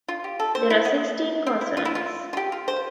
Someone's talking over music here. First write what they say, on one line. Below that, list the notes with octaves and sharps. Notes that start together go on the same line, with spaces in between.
There are sixteen consonants.
F4
G4
A4
C5
E4
B3
C4
E4
F4
E4
F4
F4
G4
F4
C5